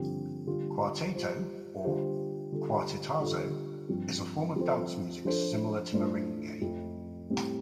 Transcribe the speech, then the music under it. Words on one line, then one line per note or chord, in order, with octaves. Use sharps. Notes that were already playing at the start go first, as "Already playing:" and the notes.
Cuarteto, or Cuartetazo, is a form of dance music similar to Merengue.
Already playing: G2 D3 F3 C4 G4
D3 G3 F4
G3 F4 C5
D3 G3 F4 C5
D3 G3 F4 A4
D3 G3 F4 A4
G2 F3 C4
F3 C4 A4 C5
F3 D4 F4 A4 C5
A2 A3 D4 F4 C5
F2 F3 A3
A2 G3 C4